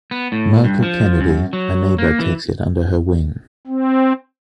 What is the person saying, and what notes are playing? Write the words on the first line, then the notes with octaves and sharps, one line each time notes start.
Myrtle Kennedy, a neighbor, takes it under her wing.
B3
A2
G2
F3
F#2
F#3
A#3
E3
C4